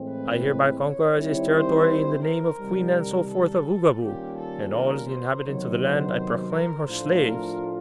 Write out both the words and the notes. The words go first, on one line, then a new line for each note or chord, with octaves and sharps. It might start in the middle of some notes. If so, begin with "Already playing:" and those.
"I hereby conquer this territory in the name of Queen Ann Soforth of Oogaboo, and all the inhabitants of the land I proclaim her slaves!"
Already playing: A2 E3 G#3 C4
B4
C#5
D#3 G3 C4 E4 C#5
C5
A#4
C3 D#3 G3
A#4
A4
D#3 G3 A#3 C#4 F4 G4
A4
A#4
C5
C3 D#3 F#3 B3 C#5
C5
A#4
A2 F3 A3 D4 F4 C5
A#4